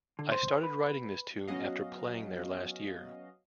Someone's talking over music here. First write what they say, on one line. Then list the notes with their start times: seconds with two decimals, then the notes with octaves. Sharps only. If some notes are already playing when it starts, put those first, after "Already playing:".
I started writing this tune after playing there last year.
0.19 D3
0.32 C5
0.63 B4
1.48 F#3 B3 C#4 F#4 D#5 F5